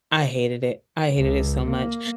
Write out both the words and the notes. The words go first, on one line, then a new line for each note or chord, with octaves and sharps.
I hated it, I hated it so much.
C#2
A#3